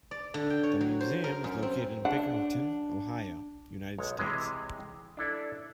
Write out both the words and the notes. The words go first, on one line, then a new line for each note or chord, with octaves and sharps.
The museum is located in Pickerington, Ohio, United States.
D5
D3
G5
C#5
F#3
C5
A#4
F#2
C4
C#3 D4 F#5
B1 G#3 C#5
C3 E3 G#3
D4 E4 A4 D5